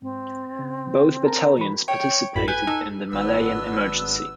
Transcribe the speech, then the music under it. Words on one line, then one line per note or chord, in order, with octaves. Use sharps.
Both battalions participated in the Malayan Emergency.
G#2 C4
C#3
A#4 A5 A#5
E3 F#4 B5
C#5 G5
A1 F#2 A2 B5
B4 G#5 G6
D#4 A4 F#6
G#1 F#3 B3 D4 B4 E6